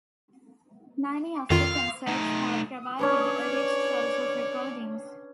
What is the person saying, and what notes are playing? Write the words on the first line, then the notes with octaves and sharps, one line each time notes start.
Many of the concerts have provided a rich source of recordings.
F2 D#3 F4 F5
A3 D#4
C#4 D4 B4 C#5 D5